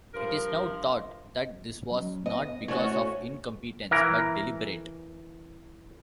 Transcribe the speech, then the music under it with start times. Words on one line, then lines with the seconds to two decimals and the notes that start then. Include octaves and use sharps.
It is now thought that this was not because of incompetence, but deliberate.
0.14 G2 F3 A#4
1.91 F#3 C#4
2.26 B3 B4 D#5
2.68 A3 C#4 E4 F#4 C5 C#5 C#6
3.91 E3 A#4